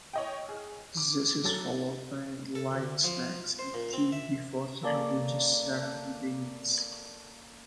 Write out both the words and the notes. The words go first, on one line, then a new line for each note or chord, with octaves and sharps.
This is followed by light snacks and tea before the religious ceremony begins.
C#5 D#5 G5
G#4
D6
F#3 A4 A6
A4
D2
F3
C5
A#2
C4
E5
A#3 C#4 A4 D5